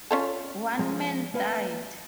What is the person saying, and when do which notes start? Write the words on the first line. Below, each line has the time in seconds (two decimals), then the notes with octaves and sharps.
One man died.
0.11 C#4 F4 A4
0.79 F3 G#3
1.34 A#3 B4 F5